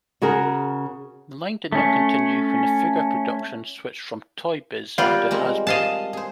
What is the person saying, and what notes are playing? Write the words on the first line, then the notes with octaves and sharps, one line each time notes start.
The line did not continue when figure production switched from Toy Biz to Hasbro.
C#3 F#4 G#4 A#4
A3 C#4
G3 B3 F4 A#4
G#3 A#3 C4
G#4 D#5 F5 A5
G#4 C5